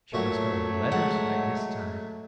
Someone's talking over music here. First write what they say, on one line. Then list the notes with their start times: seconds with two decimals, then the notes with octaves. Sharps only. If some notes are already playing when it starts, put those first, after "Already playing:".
She must know her letters by this time.
0.14 A#2 F#3 A3 F#4 C#5 E5
0.92 G#3 F#5